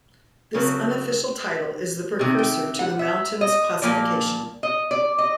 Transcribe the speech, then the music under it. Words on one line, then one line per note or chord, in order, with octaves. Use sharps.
This unofficial title is the precursor to the mountains classification.
C#3 F#3 A3 C4
C3 D#3
G5
F#5
E5
D#5
A#2 F3 A#3 D5
D#5
D5
D#5